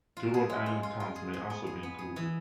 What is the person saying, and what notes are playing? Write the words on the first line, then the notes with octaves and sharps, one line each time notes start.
Two Rhode Island towns may also be included.
F4
G#4
G#3
F4
F4
F4
G#4
G#4
B3
G#4
B3
G#4
E3